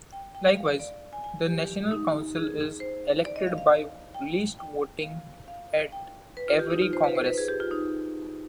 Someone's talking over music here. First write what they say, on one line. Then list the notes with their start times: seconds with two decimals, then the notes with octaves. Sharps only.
Likewise, the national council is elected by list voting at every congress.
0.13 G5
0.35 G5
0.57 F5
0.80 D5
1.13 G#5
1.24 G#5
1.46 G4
1.91 D#4
2.35 G#4
2.80 C5
3.25 D5
3.36 D#5
3.47 F5
3.58 F5
4.14 G5
4.59 G5
5.03 F5
5.48 F5
5.92 G5
6.37 B4
6.48 F4
6.59 G4
6.70 D#4
6.82 F4
6.93 C5
7.04 B4
7.15 C5
7.26 B4
7.38 G#4
7.48 G4
7.60 F4
7.71 D#4